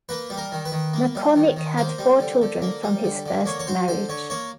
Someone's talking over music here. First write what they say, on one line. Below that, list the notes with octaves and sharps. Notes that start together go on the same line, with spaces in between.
McCormick had four children from his first marriage.
A#3 B4
G3
A#4
D#3
B4
D#3
A#3
G3
D#3
D#3
A#3 C5
G3
D3
D3
A#3
G3
D3
D3
A#3 C#5
C#5
F#3 C5
D3 C5
D3 C#5
A#3 C#5